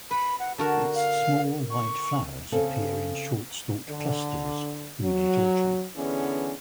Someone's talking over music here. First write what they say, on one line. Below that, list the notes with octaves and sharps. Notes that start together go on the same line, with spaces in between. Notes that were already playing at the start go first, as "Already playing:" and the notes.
Its small white flowers appear in short-stalked clusters in late autumn.
B4 B5
F#5
D3 F#4 A#4 A5
F5
C#6
C#3 C4 A4
D3
F#3
D3 E3 B3 C#4 D4 G#4